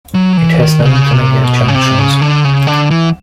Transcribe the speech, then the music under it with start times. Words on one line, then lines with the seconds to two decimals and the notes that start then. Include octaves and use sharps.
It has no intermediate junctions.
0.14 F#3
0.37 E3
0.60 D#3
0.82 C#3
1.13 C3
1.44 B2
1.68 C#3
1.75 C3
1.98 C#3
2.21 D3
2.44 C#3
2.67 D3
2.90 E3